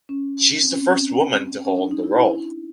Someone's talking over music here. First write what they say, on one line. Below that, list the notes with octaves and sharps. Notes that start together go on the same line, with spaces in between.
She is the first woman to hold the role.
C#4
C4
C#4
C4
C#4
C4
C#4
C4
C#4
D4
D#4
E4
E4